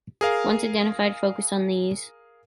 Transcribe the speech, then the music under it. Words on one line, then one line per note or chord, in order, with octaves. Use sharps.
Once identified focus on these.
G#4 A#4 F5